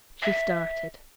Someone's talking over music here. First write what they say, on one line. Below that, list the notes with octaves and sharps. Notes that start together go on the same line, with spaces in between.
She started.
E5